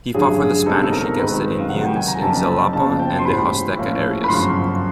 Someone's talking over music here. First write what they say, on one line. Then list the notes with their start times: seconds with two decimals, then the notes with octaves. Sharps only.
He fought for the Spanish against the Indians in Xalapa and the Huasteca areas.
0.14 A1 G2 D3 F#3 G#4
0.40 G#4
0.66 C#2 B2 G3 C4 D#4 A4
0.92 A#4
1.18 G#2 D#3 G#3 C4 D#4 B4
1.59 F5
1.69 C#2 C3 D#3 F#3 F#5
1.83 G5
1.96 G#5
2.08 A#5
2.21 F#1 F2 C#3 F#3 A#3 A5
2.48 A5
2.73 F#1 E2 C#3 F3 A5
3.00 G5
3.19 C6
3.25 A1 G#2 E3 B5
3.76 A2 F3 A#3 C#4
4.24 B5
4.28 G1 F#2 C#3 F3 C6